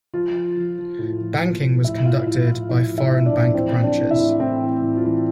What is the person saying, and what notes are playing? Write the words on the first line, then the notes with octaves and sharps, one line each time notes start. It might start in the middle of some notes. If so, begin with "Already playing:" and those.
Banking was conducted by foreign bank branches.
F3 F4
F3
F3
F3
A2
F3
F3
A2
A2 E4 E5
F3 F4 F5
A2 E4 E5
A2 F4 F5
F3 E4 E5
F3
E4 E5
F3
D4 D5
A2
E3 C4 C5
E3
D4 D5
E3
E4 E5
A2
A2 C4 C5
E3
A2
F4
E3